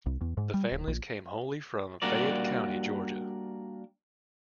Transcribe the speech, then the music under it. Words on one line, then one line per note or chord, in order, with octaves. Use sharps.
The families came wholly from Fayette County, Georgia.
C2
E2
G#2
G3
D1
A#1
G3 A#3 D4 F#4 A#4 D5